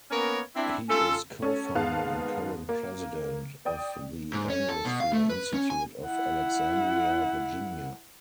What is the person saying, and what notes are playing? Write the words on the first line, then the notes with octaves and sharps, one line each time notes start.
He is co-founder and current President of the Anglosphere Institute of Alexandria, Virginia.
A#3 B3 C#4 A#4 C#5
C4 D4 E4
C#4 F4 A4
C#4 A4 C#5
G#2 D#3 B3 F5 A5 F#6
A#3
D5 G5 D#6
G#2
C#4
A4
B2
F5
A3
B4
C#4
G#5
E4 F#5